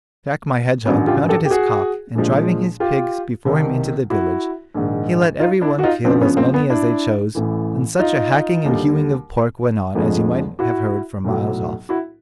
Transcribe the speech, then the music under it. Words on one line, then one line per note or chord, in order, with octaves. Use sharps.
Jack my Hedgehog mounted his cock, and driving his pigs before him into the village, he let every one kill as many as they chose, and such a hacking and hewing of pork went on as you might have heard for miles off.
A1 G2 D#3 F#3 B3 C#4
F4 G4
G4 A4
G4
F#4 G#4
A#1 A#2 F3 G#3
F4 G4
C2 C3 D#3
E4 F#4
A#1 G#2 D#3
D#4 F4
D4 E4
F#4
D#4 F4
G1 F#2 C#3 F3 C4 D4
B3 C#4
A#3 C4
B3
D4 E4
A1 A2 E3
D#4 F4
D#2 D3 G3
F1 F2 D3 F3 G#3
E4 F#4
B1 A2 F#3
E4 F#4